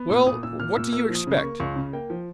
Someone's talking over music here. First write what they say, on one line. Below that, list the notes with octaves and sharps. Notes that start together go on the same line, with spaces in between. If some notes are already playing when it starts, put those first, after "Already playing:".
'Well, what do you expect?
Already playing: B3
A#2 E6
A#2 D#6
A#2 E6
A#2 F6
A#2 E6
A#3 E6
F3
D#6
C#3
C#6
A#3
C#2 C#6
C#3
A#3 G5
F3